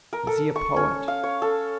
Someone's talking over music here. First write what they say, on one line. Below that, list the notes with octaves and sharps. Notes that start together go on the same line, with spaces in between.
Is he a poet?
A#4
A4
C#6
C#4
F5
C#5
A4